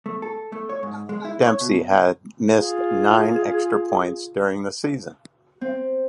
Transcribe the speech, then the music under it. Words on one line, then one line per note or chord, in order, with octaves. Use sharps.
Dempsey had missed nine extra points during the season.
A3
A4
A3
C#5
G#2
G#3
E4
C#5
B2
F4 G#4
C4